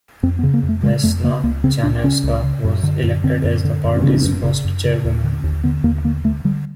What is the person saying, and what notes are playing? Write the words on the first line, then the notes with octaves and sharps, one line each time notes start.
Vesna Janevska was elected as the party's first chairwoman.
F2 C4
B3
C#3
A#3
F2
A3
C#3 G#3
F2 A3
C#3 A#3
C#2 A#3
C#3 C4
C#2 D4
C#3 C#4
C#2
C#3
F#2
D3
F#2
D3 C4
F#2
D3
F#2
C#3
F#2
C#3
F#2
C#3
D#2
D3
D#2
D3 B3
D#2 A#3
D3 A#3
D2 A3
D3 G3